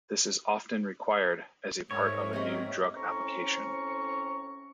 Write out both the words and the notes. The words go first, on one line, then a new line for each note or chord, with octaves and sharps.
This is often required as a part of a new drug application.
G#2 A#4 C#5 E5
C4 G4 D#5
A2 C4 C#4 A#5 C#6